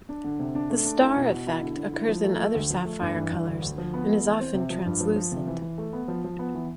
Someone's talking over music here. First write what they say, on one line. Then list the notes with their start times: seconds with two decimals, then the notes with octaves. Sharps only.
The star effect occurs in other sapphire colours and is often translucent.
0.09 D4
0.24 D3
0.40 C3
0.55 D4
0.70 A3
0.85 D4
1.01 E4
1.16 B2
1.31 B2
1.47 E4
1.63 D3
1.78 D3
1.94 E4
2.09 F3
2.24 A3
2.39 A3
2.55 D2
2.70 F3
2.85 A3
3.01 G2
3.16 E3
3.31 G2
3.47 D2
3.62 D2
3.78 F3
3.94 B3
4.08 A3
4.24 E3
4.40 C4
4.54 C3
4.70 F3
4.86 G2
5.01 F3
5.16 F3
5.32 C3
5.47 E3
5.62 E3
5.78 A3
5.93 B3
6.08 F3
6.24 F3
6.39 B3
6.55 E3